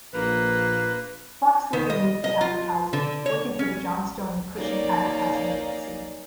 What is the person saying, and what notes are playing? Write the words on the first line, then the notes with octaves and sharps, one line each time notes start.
Fox later moved to advertising, working for the Johnstone and Cushing advertising agency.
A#1 A#3 B4
D#3
D#5
D#5
F4
D3
C#5
C#4
A#3 C#4 D#4 D5